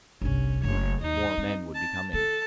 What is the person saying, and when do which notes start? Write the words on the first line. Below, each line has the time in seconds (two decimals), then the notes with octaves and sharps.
More men would be coming.
0.21 G1 C2 C#4
0.63 F#1 A3 C#5
1.01 D#2 D#4
1.37 C4
1.75 A5
2.13 D#3 A4 A5